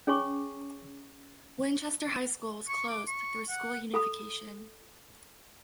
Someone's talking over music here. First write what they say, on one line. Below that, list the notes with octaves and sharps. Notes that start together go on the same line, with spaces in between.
Winchester High School was closed through school unification.
C#4 G#4 C#5 G#5 C#6 D6
C#6
D6
C#6
F#5
A4 B5 D#6